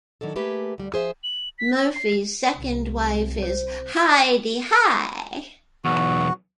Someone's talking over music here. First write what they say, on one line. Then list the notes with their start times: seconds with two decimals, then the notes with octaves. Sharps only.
Murphy's second wife is Hi-de-Hi!
0.21 D#3 F#3 D4 A4
0.36 A3 A#3 G4 G#4 B4
0.78 D2 G3
0.92 F3 G#4 C5 E5
1.23 F#7
1.58 B6
1.75 E6
1.94 C7
2.55 C2
3.43 C5
5.85 B1 E2 F#4